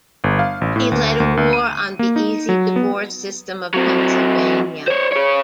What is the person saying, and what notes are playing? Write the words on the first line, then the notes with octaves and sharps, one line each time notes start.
He led a war on the easy divorce system of Pennsylvania.
G1
F5
A1
A2
D2
D2
D2
D#7
A#3
D#4
F#3
B3
F#3 C4
C5 C#5
G#4 C#5